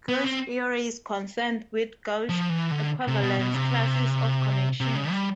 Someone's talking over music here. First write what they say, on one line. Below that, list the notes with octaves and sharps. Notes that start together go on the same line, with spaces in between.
Gauge theory is concerned with gauge equivalence classes of connections.
B3
C4
F3
E3
D3
C3
B2
B2
C3
C3
C#3
G3